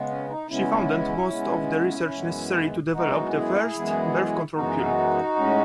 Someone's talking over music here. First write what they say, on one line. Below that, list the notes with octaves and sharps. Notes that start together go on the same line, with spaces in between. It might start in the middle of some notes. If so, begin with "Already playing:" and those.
She funded most of the research necessary to develop the first birth control pill.
Already playing: C#3 G#3 B3
C#4
D#4
C#3 G#3 B3 C#4 E4
C#3 G#3 B3
F#2 E3 G#3 B3
F#2 E3 G#3 B3 D#4 F#4
E4 G#4
F#2 E3 G#3 B3
F#2 E3 G#3 B3 D#4 F#4
A2 G#3 C#4